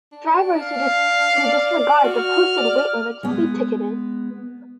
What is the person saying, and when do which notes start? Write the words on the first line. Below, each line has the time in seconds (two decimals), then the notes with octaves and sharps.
Drivers who disregard the posted weight limits will be ticketed.
0.12 D4
0.62 F5
1.36 D5
2.04 F#4 F6
2.57 D5
3.23 G#3 B3